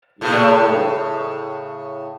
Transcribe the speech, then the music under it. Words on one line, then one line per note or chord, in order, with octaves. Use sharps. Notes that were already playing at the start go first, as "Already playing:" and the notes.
you know, uh,
A2 C#3